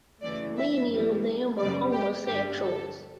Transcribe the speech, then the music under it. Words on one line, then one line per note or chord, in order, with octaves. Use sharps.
Many of them were homosexuals.
F#2 C#3 E3 A3 D5
E5
F#2 E3 G3
F#2 C#3 G3 D5
G4
G2 D3 G3 G4
A4